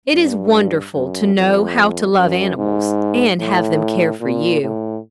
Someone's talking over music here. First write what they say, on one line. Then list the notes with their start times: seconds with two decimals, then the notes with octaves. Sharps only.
It is wonderful to know how to love animals, and have them care for you.
0.13 G2
0.95 F#2
1.36 F2
2.18 F#2
2.58 G#2
3.40 A2
4.21 A#2
4.62 A2